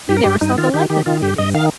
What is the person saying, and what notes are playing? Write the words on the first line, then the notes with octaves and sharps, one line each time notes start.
You never saw the like of the beauties!
G2 G4
A#4
G2 G4
G2 D#4
D#3 F4
D#3 G4
D#3 G4
D#3 F4
G2 G4
G2 D#5
D#3 F5